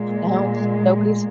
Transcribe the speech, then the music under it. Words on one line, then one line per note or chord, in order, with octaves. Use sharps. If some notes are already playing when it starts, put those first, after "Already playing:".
No nobody's
Already playing: A#2 G#3